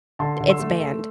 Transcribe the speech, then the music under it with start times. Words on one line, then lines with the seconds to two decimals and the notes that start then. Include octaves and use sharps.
it's banned.
0.19 D3 A5 C6
0.40 D3
0.50 C6 E6
0.59 A3
0.80 A3